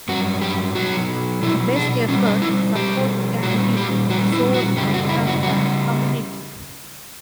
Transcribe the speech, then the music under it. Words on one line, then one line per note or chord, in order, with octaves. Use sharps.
Best-effort support can be sourced from the community.
G2 F#3 F#4
G4
B2 F#3 F#4
B2 F#3 E4
D4
B2 G3 C#4
D4
E4
B2 G3 G4
A#2 G3 F#4
G4
A#2 G3 F#4
E4
F#4
F#2 C#3 G3 G4
F#4
E4
F#4
C#3 G3 F#4